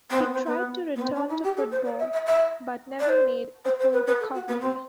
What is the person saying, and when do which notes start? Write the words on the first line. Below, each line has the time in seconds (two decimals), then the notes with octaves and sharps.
He tried to return to football, but never made a full recovery.
0.10 C4
0.19 B3
0.33 C4
0.46 B3
0.96 B3
1.01 C4
1.15 D4
1.29 E4
1.43 G4
1.57 A4
1.71 C5
1.85 D5
1.99 E5
2.12 E5
2.26 E5
2.99 D5
3.09 C5
3.65 C5
3.79 C5
3.92 B4
4.07 B4
4.20 A4
4.34 F#4
4.48 B3
4.61 C4